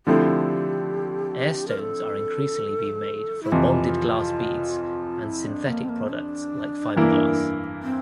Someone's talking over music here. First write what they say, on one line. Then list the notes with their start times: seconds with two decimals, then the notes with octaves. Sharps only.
Airstones are increasingly being made from bonded glass beads and synthetic products like fiberglass.
0.07 D3 F3 A3 C4 E4 G4
1.68 A#4
1.79 A4
3.43 E4
3.52 F2 C3 E3 F4
5.24 E4
5.46 D4
5.68 A#3
5.84 C4
5.89 A#3
6.11 D4
6.96 G2 E3 A#3 E4 A#4
7.83 C4